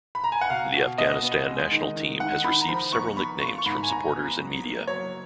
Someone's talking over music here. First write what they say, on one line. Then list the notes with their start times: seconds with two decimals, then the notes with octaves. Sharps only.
The Afghanistan national team has received several nicknames from supporters and media.
0.15 B5
0.24 A#5
0.32 G#5
0.41 F#5
0.50 B2 F5
0.74 B2
0.98 B3 D#5
1.23 B3
1.47 G#3
1.71 D#3
1.96 D#3
2.20 D#3 F#5
2.44 D#4 B5
2.61 A#5
2.69 F3 B5
2.93 B3 C#6
3.17 B3 B5
3.41 F4 C#6
3.58 C#6
3.66 G#2 B5
3.83 G#5
3.90 G#2 A#5
4.15 B3
4.39 F#3
4.63 A#3
4.87 F#3 C#5